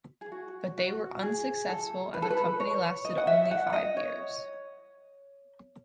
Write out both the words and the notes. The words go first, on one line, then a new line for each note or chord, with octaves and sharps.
But they were unsuccessful and the company lasted only five years.
G#4
F#4
F#4
G#4
A4
B4
A4
B4
C#5
D#5
F#5
E5
F#5
D#5
C#5